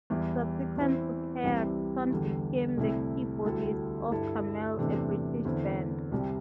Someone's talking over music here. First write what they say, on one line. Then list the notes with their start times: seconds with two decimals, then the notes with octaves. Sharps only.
Subsequent to Kayak, Ton became the keyboardist of Camel, a British band.
0.10 E2 E3 G3 E4 G4
0.76 E2 E3 C4 E4
1.44 C2 C3 E3 G3 E4
2.10 E2 D3 G3
2.77 C2 C3 A3 E4
3.44 D2 D3 G3 E4 A4
4.11 G2 G3 E4 A4
4.78 E2 C3 E3 A3 D4
5.45 E2 D3 C4 E4
6.12 C2 C3 G3